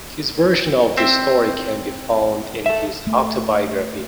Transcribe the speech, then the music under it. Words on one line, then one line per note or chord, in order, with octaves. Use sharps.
His version of the story can be found in his autobiography.
C4 C5 E5
A4 E5
A3